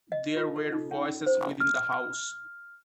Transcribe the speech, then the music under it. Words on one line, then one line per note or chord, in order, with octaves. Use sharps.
There were voices within the house.
D#5
F4
A4
D#4
C#4
C5
F6